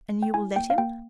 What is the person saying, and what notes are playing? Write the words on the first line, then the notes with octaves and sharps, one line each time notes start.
"And you will let him?"
G5
E4 G#5
A#3 G5
F5
A#3 G5